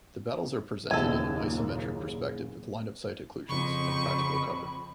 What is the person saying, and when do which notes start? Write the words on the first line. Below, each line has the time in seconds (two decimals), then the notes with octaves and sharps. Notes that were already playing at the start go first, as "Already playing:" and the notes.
The battles are presented in an isometric perspective with line-of-sight occlusions and practical cover.
0.91 F#1 D#2 A#2 C#3 B3 A4 G#5
3.49 F2 C#3 B5 C#6